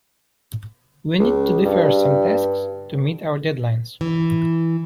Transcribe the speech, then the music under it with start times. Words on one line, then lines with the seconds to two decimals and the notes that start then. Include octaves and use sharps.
We need to defer some tasks to meet our deadlines.
1.19 C#2
1.65 G2
4.01 E3